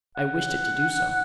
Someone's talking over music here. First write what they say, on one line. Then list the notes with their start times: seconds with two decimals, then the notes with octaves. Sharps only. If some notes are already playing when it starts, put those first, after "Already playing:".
"I wished it to do so."
0.17 F#5